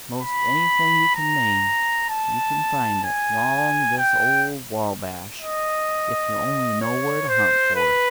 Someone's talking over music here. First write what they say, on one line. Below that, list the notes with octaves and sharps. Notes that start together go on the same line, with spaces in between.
Most anything you can name, you can find it 'long this ole Wabash, if you only know where to hunt for it.
B5
A#5
A5
G#5
G5
D#5
C#5
C5
B4